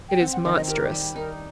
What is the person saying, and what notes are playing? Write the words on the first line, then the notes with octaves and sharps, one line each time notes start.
It is monstrous.
G5
C4 F#5
F#5
D#3 D#5
D#5
G4 A#4
G3
D#4 A#4